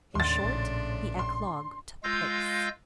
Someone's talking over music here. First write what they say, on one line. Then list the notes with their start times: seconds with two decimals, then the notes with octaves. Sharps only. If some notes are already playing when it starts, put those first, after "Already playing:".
In short, the eclogue took place.
0.15 D#2 A2 C#3 D4 C6 A6
0.44 A#1
1.19 C6
2.04 G#3 F4 F5 E6 G6 A#6